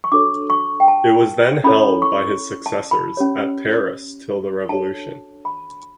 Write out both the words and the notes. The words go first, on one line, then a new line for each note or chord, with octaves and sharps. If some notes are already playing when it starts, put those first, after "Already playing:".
It was then held by his successors at Paris till the Revolution.
C#6
D4 F#4 A4 C#5 D6
C#6
G5
A5
C#4 E4 A4 C#5 B5
C#6
A5
B5
C#4 G4 C#5
D4 F#4 A4 C#5 A5
B5